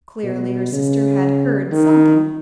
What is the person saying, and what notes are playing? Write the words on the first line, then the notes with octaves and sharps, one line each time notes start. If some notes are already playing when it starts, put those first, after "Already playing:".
Clearly her sister had heard something.
B2
C#3
D#3